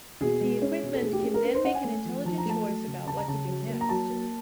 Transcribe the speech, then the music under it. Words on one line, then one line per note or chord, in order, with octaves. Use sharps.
The equipment can then make an intelligent choice about what to do next.
B2 G#4
G#3
C#4
B2
A4
A3 G#4
G4
C#4 G#4
A#4
C#4 B4
C5
C#4 F#5
G#5
A3
F3
F3 A5
A#5
A3 A5
F#3
C#3
C#3 A5
A#5
C#3 A5
F#3
A#3
A#5
F#3 A5
A#3